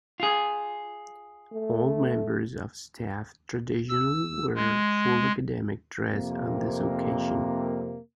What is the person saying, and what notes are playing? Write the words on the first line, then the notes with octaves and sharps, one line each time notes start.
All members of Staff traditionally wear full academic dress on this occasion.
F4 G#4
A3
E6
G#3
F2 C3 A#3